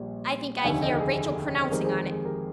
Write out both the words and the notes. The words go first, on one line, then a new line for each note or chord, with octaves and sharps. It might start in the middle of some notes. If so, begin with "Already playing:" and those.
I think I hear Rachel pronouncing on it.
Already playing: A#1 A#2 G3 A#3
G5
F1 D#2 D3 F5 G#5
D#5 G5
G#4
D5
C5
F2 D#3 G#3 C4 G4 A#4
G#4 C5
G#4
G#4
G4 A#4